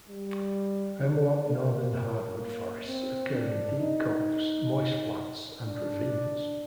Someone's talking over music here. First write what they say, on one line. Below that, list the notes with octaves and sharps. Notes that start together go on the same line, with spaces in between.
Hemlock-northern hardwood forests occur in deep coves, moist flats, and ravines.
G3
D4
A#3
A#3
C4
D4
D#4
D4